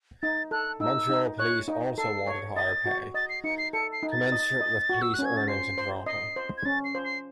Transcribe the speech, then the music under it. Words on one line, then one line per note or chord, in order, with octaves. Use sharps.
Montreal police also wanted higher pay, commensurate with police earnings in Toronto.
D#4 A6
A4 F#6
D#4 E6
D#4
C#5 F#6
D#4
A4 C7
C#5
D#5 A6
F#4
D#5 A6
C7
D#4 C#7
C7
A4 C#7
C7
D#4
A6
D#5
D#5
F#4
E6
C#4 F#6
G#6
A6
C5 C7
C5
D#5 C7
C5
G#6
C#4 A6
C7
C5
C7